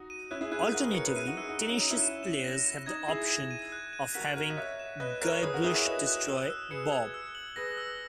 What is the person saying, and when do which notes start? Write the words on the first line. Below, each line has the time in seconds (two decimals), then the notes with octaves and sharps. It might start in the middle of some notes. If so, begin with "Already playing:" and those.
Alternatively, tenacious players have the option of having Guybrush destroy Bob.
Already playing: D#4 F#4
0.10 D#7
0.31 C#4 E4 F#6
0.41 E4 G#4
0.51 E4 G#4 F#6
0.62 E4 G#4
0.73 F#4 A#4 F#6
0.84 G#4 B4
0.94 A#4 C#5 C#7
1.05 G#4 B4
1.16 E4 G#4 D#7
1.27 D#4 F#4
1.37 E4 G#4 E6
1.48 D#4 F#4
1.59 D#4 D#7
1.70 C#4
1.80 D#4 E6
1.91 C#4 E4
2.02 E7
2.23 E7
2.44 A#6
2.65 E7
2.86 D#4 G#6
3.08 E4 G#4 G#6
3.29 G#6
3.51 D#7
3.72 F#6
3.93 D#7
4.14 F#4 A#4 B6
4.36 F#4 A#4 F#6
4.50 D#5
4.57 C#5 E5 F#6
4.79 E7
5.00 B4 D#5 F#6
5.21 A#4 C#5 F#6
5.32 A#4 C#5
5.42 G#4 B4 D#6
5.54 F#4 A#4
5.64 E4 G#4 D#6
5.74 C#5 E5
5.85 B4 D#5 E7
6.07 F#6
6.28 E6
6.50 E6
6.70 G#4 B4 C#7
6.92 G#6
7.14 E6
7.35 F#7
7.56 G#4 B4 A#6
7.77 E6